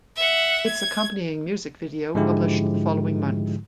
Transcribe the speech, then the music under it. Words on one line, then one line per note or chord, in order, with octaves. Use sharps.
Its accompanying music video published the following month.
E5 F#5
G#6
G#2 D3 F3 G#3 E4 G4